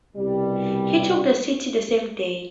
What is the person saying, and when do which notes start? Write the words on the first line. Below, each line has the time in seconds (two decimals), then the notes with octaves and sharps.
He took the city the same day.
0.16 C2 B2 G3